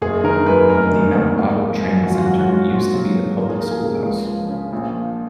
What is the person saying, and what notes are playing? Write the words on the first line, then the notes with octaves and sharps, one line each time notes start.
The Mount Auburn Training Center used to be the public school house.
F#1 G#4
D#3 A#4
F#2 B4
F1 A#4
D#3
D#2
G#1
F3
F#2
G#1 F#4
F4
F#3 F#4
F#4
G#2 F4
A#1 F#4
F#3 F4
G#2 G#4
D#2 A#4
G#4
F3 A#4
G#4
C#3
C#2
F3
C#3
A#1
F3